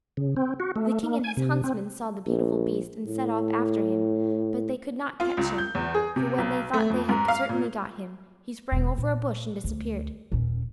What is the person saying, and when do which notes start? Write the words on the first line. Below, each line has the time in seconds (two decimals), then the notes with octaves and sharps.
The king and his huntsmen saw the beautiful beast and set off after him, but they could not catch him; for when they thought they had certainly got him, he sprang over a bush and disappeared.
0.17 C#3
0.36 C4
0.60 F#4
0.76 A3
1.03 A#3
1.24 G#5
1.37 C3
1.64 C4
2.26 A#1
3.06 A2
5.20 F4
5.37 C#2
5.58 G6
5.75 E2
5.94 G#4
6.16 C3
6.38 B1
6.73 A3
6.90 F2
7.09 G#2
7.28 F5
7.49 A#2
8.72 E1
8.98 A#2
9.64 D2
10.32 D#1 C#4